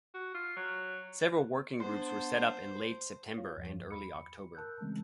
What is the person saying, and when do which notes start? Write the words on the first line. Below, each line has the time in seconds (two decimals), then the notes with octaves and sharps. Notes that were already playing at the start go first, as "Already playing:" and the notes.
Several working groups were set up in late September and early October.
0.14 F#4
0.34 F4
0.57 F#3
1.80 B3 D4 C5 C6
3.38 F4 C#5 F5
3.57 E2 G2 F3
3.91 B5 C#7
4.55 A#4 A5 E6 F#6 G6
4.81 C#3 E3 G#3 A3 C4 C#4